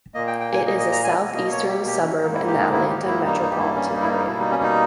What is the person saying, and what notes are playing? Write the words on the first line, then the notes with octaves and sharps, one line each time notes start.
It is a southeastern suburb in the Atlanta metropolitan area.
A#2 A#3 D#5
G5
G5
G#5
D#5
D#5
A#5
G#5
B2 A#3
D#5
C#5
G4
G4
C#4
G#2 D#3 A#3 D#4
E4
G4
D#4
E4
G4
E4
G2 G3 A#3 D#4
D#4
G4
E4
C#4
D#4
E4
D#4
B2 G3 A#3 E4
D#4
C#4
D#4